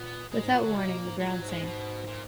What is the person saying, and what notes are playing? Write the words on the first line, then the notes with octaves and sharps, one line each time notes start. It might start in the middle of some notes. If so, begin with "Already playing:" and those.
Without warning, the ground sank.
Already playing: A#2 B3
B2 G#3
G#2
A#2 F#3
D3
B2 A#3
B2
A#2
G#2
A#2 G#3
F#3
G#2
G#3
B2
A#2